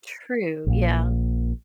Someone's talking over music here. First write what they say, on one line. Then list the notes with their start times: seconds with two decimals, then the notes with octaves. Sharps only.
True, yeah.
0.67 A#1 A#2